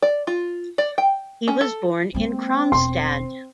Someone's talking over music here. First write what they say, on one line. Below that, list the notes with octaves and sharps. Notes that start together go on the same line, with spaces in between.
He was born in Kronstadt.
D5
F4
D5
G5
C#4
A4
G#3 A#3 C4
E1 C6